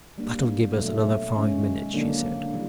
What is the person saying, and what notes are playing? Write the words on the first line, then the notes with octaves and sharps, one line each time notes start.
"That'll give us another five minutes," she said.
G3 A#3 D4
B2 F#3 A3
D#3 G#3 C#4
D3 F#3 A#3 D4
C3 E3 G3